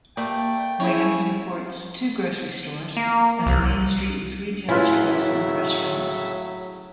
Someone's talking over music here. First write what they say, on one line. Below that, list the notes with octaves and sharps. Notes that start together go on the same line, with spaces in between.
Wingham supports two grocery stores, and a main street with retail stores and restaurants.
G3 A3 A#3 D5 G5
C#4 E4 G#4 C#5
A#3
C2
A2 C#3 F#3 C#4 E4 F4 B4 E5